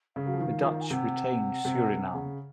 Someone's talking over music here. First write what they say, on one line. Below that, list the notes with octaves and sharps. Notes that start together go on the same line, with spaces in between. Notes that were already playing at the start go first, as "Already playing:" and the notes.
The Dutch retained Suriname.
C#3 F5
F#3
F3
D#3
F3
D#3
G#5
C3 F#5
C3
C3
C#3